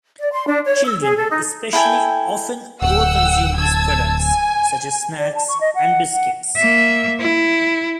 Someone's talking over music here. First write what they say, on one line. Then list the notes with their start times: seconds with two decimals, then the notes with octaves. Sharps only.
Children especially often over-consume these products, such as snacks and biscuits.
0.20 D5
0.33 C6
0.47 D4
0.64 C#5
0.85 E6
1.02 G#4
1.16 A4
1.29 D#4
1.73 E4 A4 G5 G#5
2.82 D1 F#5 G5 E6
3.57 A5 E6 G#6
4.19 G#5
5.19 D5
5.35 A5
5.49 C#6
5.61 D#5
5.75 F#5
6.12 F#5
6.56 A#3 E5
7.20 E4